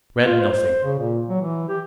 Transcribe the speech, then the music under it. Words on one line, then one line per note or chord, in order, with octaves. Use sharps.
I dread nothing.
F4
C5
C#3
A#2
F#3
E3
G4